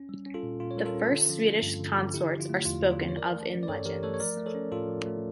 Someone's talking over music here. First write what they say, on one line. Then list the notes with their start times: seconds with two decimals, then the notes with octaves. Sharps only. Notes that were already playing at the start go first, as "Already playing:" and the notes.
The first Swedish consorts are spoken of in legends.
Already playing: C#4
0.09 G3
0.26 C#4
0.34 F4 A4
0.43 A#2
0.60 A#2 F4
0.71 C#5
0.77 G3 A#4
0.86 F4 A4
0.95 C#4
1.11 D3
1.29 F3
1.46 A3
1.63 G2
1.80 D3
1.97 F3
2.14 D3 E4 G4
2.31 F3
2.40 F4
2.49 A3
2.65 E2 F4
2.84 D3
2.91 F4
3.00 F3
3.08 C#5
3.17 E3 A#4 D5
3.35 A3
3.51 C#4
3.63 D5
3.68 G2 A4 C#5
3.86 E3 G4 A#4
4.03 A3 A4 C#5
4.14 C#5
4.20 F3 A#4 D5
4.37 A3
4.46 A4 C#5
4.55 C#4
4.72 A2 F4 A4
4.89 F3
5.06 A3